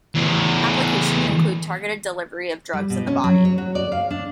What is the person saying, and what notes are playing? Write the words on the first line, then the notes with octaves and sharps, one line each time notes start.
Applications include targeted delivery of drugs in the body.
E2 A2
G3
B2
C#4
F#3
C#5
F#4
D5
F5
D4